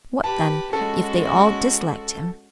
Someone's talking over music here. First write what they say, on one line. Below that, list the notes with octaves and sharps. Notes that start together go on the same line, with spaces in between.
"What, then, if they all disliked him?"
G4 B4 A5
G#3 C#4 F#4 A4